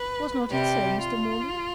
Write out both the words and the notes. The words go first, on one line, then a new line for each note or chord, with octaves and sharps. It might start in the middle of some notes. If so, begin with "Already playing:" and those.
Was not it so, Mr. Morland?
Already playing: B4
C3 G3 G4
F4